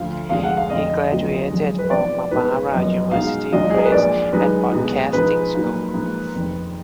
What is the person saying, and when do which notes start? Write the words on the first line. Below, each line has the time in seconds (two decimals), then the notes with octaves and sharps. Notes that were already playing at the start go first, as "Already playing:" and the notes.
He graduated from Marmara University Press and Broadcasting School.
Already playing: D2 D3 F3 F5
0.29 F1 F2 D3 G#3 F5
0.44 F#5
0.57 F5
0.70 F1 F2 D3 D#5
1.10 D2 D3 F#3 B3 F4
1.50 F#1 F#2 F3 G#3
1.79 B4
1.90 G#1 G#2 F3 B3 D5
2.31 B2 G#3 D#4 B4
2.72 F#1 F#2 F3 B3 D#5
3.11 B2 G#3 D#4 F#4 F5
3.52 G#1 G#2 F#3 D4 F4 D#5
3.70 G#4
3.78 A#4
3.85 B4
3.92 A#1 A#2 G#3 D4 D5
4.32 F#2 D#3 G#3 D#4 B4
4.72 B1 B2 G#3
5.13 G#2 F3 G#3 D#4 B4
5.53 A#2 F#3 A#3 D#4
5.94 G#2 F3 A#3
6.34 F1 F2 D#3